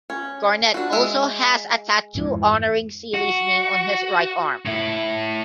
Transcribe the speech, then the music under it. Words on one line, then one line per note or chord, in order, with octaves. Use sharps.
Garnett also has a tattoo honoring Sealy's name on his right arm.
C#4
D4 F#4
G#3 E5
F2 G#2 E3
F#4
A2 E4